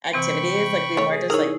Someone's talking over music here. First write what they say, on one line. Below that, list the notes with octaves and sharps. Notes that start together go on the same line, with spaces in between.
activities, like, we more just, like,
C3 E3 C4 G5 B5 C#6
A3 C#5
G#4
D#4 E4 A#4 C#5